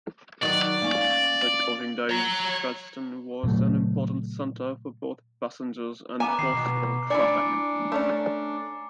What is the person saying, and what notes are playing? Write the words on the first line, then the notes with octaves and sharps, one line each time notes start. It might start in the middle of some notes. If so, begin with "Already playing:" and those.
In coaching days, Preston was an important centre for both passenger and postal traffic.
D#3 F#3 D#4 D5
A#3 C#4
C#5 A#5
A#2 C#3 F#3 A3
B3 G#5 A#5 D6
D#3 C7
B2
D4 E4 D5 G#5 D6 C#7
A3 C#4 D5